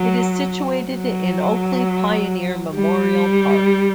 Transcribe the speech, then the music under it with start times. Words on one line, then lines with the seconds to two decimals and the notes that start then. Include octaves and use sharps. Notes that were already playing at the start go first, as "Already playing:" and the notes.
It is situated in Oakleigh Pioneer Memorial Park.
Already playing: F#3
0.93 F#3
2.75 G3